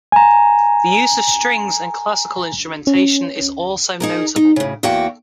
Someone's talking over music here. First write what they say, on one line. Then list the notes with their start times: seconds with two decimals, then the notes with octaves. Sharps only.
The use of strings and classical instrumentation is also notable.
0.12 G#5 A#5
2.87 C#4
4.00 D#4 G#4 A#4
4.36 D#4
4.56 A2 C#3
4.83 E2 A#3 F#4 G4 F#5 G5